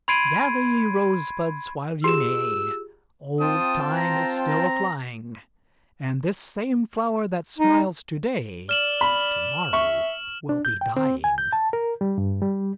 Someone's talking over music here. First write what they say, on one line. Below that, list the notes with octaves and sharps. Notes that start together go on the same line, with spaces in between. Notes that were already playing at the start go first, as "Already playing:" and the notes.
Gather ye rose-buds while ye may, Old Time is still a-flying: And this same flower that smiles to-day, To-morrow will be dying.
B5 C6 G#6 C7 D7 D#7
F4 G4 G#4 C6 E6 E7
C4 F4 G5 A5 D#6
A#5
A#5
D#4
D5 F6 E7 F#7
B5
E5 C#6
D4
G6
G5
C4
G#5
G6
A5
A#4
G3
G2
G3